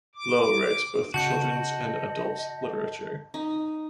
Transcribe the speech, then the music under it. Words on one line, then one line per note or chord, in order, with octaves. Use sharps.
Loe writes both children's and adult literature.
D6
C#3 F#4 D#5 A5 G6 C#7
D#4